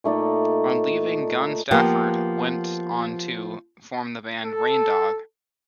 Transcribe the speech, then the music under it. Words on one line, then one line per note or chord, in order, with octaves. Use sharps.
On leaving Gun Stafford went on to form the band 'Raindog'.
A#2 A3 D#4 D5
F3 A#3 B3 G4
A4